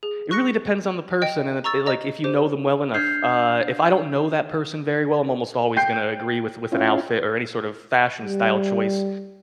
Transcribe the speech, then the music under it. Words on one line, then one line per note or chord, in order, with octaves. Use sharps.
it really depends on the person, and it it it like if you know them well enough uh, if I don't know that person very well, I'm almost always gonna agree with with an outfit or any sort of fashion style choice,
G#4
C#6 F#6 A#6 C#7
D#5 G5
A#5 C#6 E6 A6
D#5 A#5
G4 C5
D4 F6 G6 C7
G5 G6 C7
C#4 E4 F4
G3